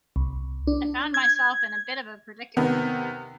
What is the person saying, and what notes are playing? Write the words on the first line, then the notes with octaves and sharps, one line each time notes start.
I found myself in a bit of a predicament.
C2
D4
G#6
C3 D#3 B3